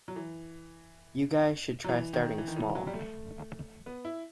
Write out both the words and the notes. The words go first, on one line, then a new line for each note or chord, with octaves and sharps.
You guys should try starting small.
F#3
E3
F#3
E3
D#3
E3
D#3
E3
F#3
G3
A3
B3
E4